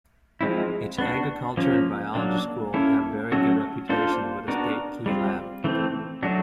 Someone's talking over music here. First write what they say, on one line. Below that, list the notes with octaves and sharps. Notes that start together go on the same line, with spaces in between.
Its agriculture and biology school have very good reputation with a State Key Lab.
F3 G#3 C4 E4
B3 D4 F#4
F3 A#3 C#4
F#3 A#3 D4
A#3 C#4 E4 A4
F#3 A3 C#4 F#4 A4
A#3 D4 F4 A4 C5
B3 D4 F#4 A#4
G3 C4 F4
E3 A3 C4
F#3 A3 D4 F#4